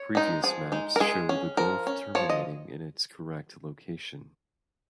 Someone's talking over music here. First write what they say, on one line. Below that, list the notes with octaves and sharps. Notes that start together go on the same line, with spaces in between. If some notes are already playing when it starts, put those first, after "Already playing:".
Previous maps show the Gulf terminating in its correct location.
Already playing: C#5
G#3 D#4
F3 G#4
G#3 D#4
A#4
G#3 G#4
C#4
F3 A#4
C#4
F3 C#5
D#5